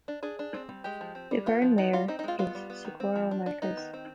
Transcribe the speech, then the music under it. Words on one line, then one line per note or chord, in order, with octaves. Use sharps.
The current mayor is Socorro Marquez.
D4
D4 G#4
D4
C4
G3
G#3 G4
F3
C4
G3
B3 F4
F3
B3 D#4
G3 F4
C4 D#4
D#4
G#3 F4
B3 F4
G3
B3
D#3
C4
F3
D4
D4
B3 D#4
D#3
C4